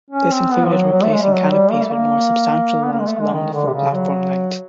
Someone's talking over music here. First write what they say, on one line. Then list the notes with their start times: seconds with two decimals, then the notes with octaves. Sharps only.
This included replacing canopies with more substantial ones along the full platform length.
0.10 C#4
0.31 C4
0.52 B3
0.65 F3
0.71 F#3
0.92 F#3
1.03 A3
1.13 G#3
1.22 G3
1.32 F#3
1.53 G3
1.72 A#3
1.84 A3
1.93 A#3
2.85 B3
2.93 A#3
2.99 G#3
3.07 A3
3.20 G#3
3.33 D#3
3.53 D3
3.67 C3
3.74 C#3
3.94 F#3